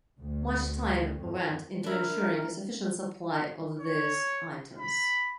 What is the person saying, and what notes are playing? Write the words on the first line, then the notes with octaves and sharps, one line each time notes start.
Much time went into ensuring a sufficient supply of these items.
D2
F2
D4 E4 A#4
C#5
B5